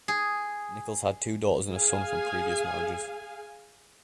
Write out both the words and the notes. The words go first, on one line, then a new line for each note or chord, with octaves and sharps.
Nichols had two daughters and a son from previous marriages.
G#4
G#4 F5 G#5